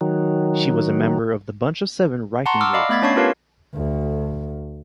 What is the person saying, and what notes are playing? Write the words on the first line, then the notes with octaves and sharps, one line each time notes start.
She was a member of the Bunch of Seven writing group.
D#3 F#3
F#5 A5 A#5 C6 C#6 C#7
D6 E6 F6
D5 D#5 F5 B5 D6
A3 B3 B5 G#6 A6 B6
C#4 D4 C#5 A5 C#6 C7
F4 G4 A#4 B4 C#5 F5
D2